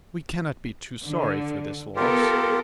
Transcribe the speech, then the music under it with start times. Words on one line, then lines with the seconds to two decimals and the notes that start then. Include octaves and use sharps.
We cannot be too sorry for this loss.
1.06 D3
1.96 B3 F4 G4 A4 A#4